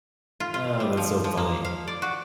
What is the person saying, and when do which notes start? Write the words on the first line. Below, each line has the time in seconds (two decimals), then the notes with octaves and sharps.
Uh, that's so funny.
0.40 F4
0.54 F4
0.80 G3
0.97 F3
1.24 F3
1.37 A#3
1.65 F5
1.88 D5
2.02 F#4